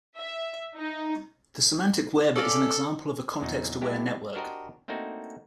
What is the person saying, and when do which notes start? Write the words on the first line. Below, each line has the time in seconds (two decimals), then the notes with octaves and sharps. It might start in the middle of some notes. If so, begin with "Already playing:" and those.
The Semantic Web is an example of a context-aware network.
0.18 E5
0.77 D#4
2.36 C#4 A4 D5 F5
3.40 E2 A#2 C#3 F#3 D#4
3.81 B2 F#3 G#3 D4 E4 G4
4.35 D4 F#4 G4 A#4 C5 D#5
4.88 A3 A#3 C4 D4 D#4 F#4